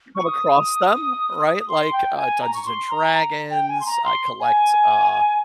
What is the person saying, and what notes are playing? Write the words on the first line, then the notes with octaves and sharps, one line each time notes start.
come across them, right? Like, uh, Dungeons& Dragons, I collect, uh,
C#6
D#6
C6
G5
G#5
A#5
C#6
C6
A#5
A#5
G5
G#5
C6
A#5
C6
G#5